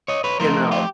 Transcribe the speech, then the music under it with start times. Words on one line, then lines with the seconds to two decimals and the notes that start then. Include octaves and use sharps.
you know,
0.08 C#5 D#5
0.24 B4 C#5
0.40 F3 A3 C4 D#4 A#4 C5
0.71 F4 G4